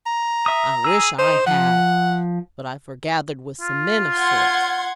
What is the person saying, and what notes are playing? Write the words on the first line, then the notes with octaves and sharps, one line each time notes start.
'I wish I had; but I forgathered with some men of sorts.
A#5
E5 D#6
G#4 E6
D#4 C5
F3 F#5
F4
F#5 C6 G#6